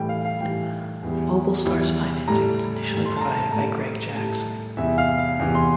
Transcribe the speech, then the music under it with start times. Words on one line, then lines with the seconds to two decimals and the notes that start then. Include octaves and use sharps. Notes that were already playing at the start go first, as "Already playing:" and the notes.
MobileStar's financing was initially provided by Greg Jackson.
Already playing: A2 E3 G3 G5
0.09 F5
0.25 F5
0.40 A2 E3 G3 G5
1.03 E2 E3 G3
1.65 E2 E3 G3
2.28 A2 G3 A#5
2.90 A2 G3
3.05 C6
3.16 A5
3.21 A#5
3.37 A5
3.52 A2 G3 A#5
4.14 A2 G3 A5
4.77 E2 C3 E3 E5
4.98 F5
5.19 F5
5.39 E2 C3 E3
5.55 C6